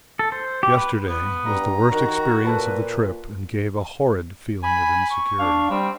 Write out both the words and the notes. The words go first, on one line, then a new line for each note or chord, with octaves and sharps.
Yesterday was the worst experience of the trip and gave a horrid feeling of insecurity.
A4
C5
G4
B4
B3
G2 D#5 A#5
D#3 F#4 G4 A#4 C#5
A#2 A4 B4 A5 B5
G#5 B5
C#6
D4 F5
G3 C4